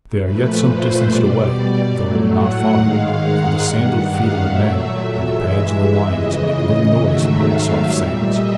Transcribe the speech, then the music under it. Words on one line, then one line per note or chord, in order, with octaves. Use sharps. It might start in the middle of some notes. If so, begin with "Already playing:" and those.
"They are yet some distance away, though not far, for the sandaled feet of the men and the pads of the lions make little noise upon the soft sands."
A#2 F3 A3 B4
C5
B2 G3 D5
D5
A2 F#3 A3
F#5
G#2 D#3 G#3 F5
F#5
G2 D#3 G3 F#5
F5
A#2 F#3 A3 E5
E5
G2 E3 G#3
E5
F2 C#3 E3 D#5
G#2 D#3 F#3 A3 E5
F5
A#2 G3 E5
D#5